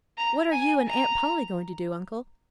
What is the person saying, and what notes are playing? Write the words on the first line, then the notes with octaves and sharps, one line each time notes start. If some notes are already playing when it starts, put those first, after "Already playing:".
"What are you and Aunt Polly going to do, Uncle?"
A#5
G#5
A#5